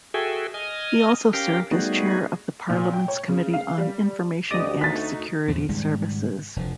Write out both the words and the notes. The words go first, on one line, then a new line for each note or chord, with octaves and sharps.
He also served as chair of the parliament's committee on Information and Security Services.
F#4 G#4 A4 E5 G5 G#5
D#5 G#5 D#6 F6
C#4 G4 A#4 F5 G5
G3 A3 B3 D#4 F#4 G#4
A#2
G5
C#5
C#3
F5
G3
D2 F#4 G4 D5 D#5 D#6
A3 D#4 F#4 A6 B6
E2 A#2 F3
G#1 G#2 C#3 G3
F1 D2 D3 F3